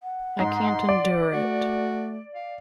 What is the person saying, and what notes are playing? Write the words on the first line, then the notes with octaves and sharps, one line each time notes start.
I can't endure it!
F#5
G#2 C6
D5
A3 F#4
F5